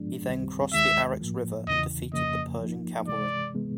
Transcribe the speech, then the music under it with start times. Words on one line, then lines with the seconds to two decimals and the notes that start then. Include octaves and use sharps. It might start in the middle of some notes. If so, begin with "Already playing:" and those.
He then crossed the Araks River and defeated the Persian cavalry.
Already playing: G#2 F3 G#3 B3 D4
0.27 C#2 C3 D#3 G3 C4
0.74 D#2 D#3 G#3 E5
1.21 A2 F3 A#3
1.68 E2 C#3 E3 D#5
2.13 F2 C#3 F3 A#3 D#5
2.60 F3 A#3 D#4
3.07 C3 E3 G#3 D5
3.54 C3 E3 G#3 B3